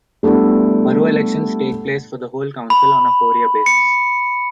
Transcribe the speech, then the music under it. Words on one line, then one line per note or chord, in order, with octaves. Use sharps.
Borough elections take place for the whole council on a four-year basis.
G3 A3 B3 D4 E4
B5
C#7